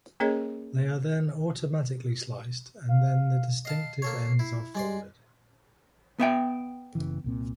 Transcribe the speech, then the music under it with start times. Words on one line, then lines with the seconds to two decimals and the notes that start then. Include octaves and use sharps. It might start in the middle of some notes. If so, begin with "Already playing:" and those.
They are then automatically sliced and then the distinctive ends are folded.
0.20 A#3 C#4 G#4 A#4 C#5 D#5
2.89 F5
3.65 D#5 F5 A5 C7
4.02 A#3 A4 C#5
4.39 E4
4.75 G3 G#3 D5 C6
6.19 B3 E5 G5
6.95 F#1 C#3 E3
7.24 C2 A#2 C4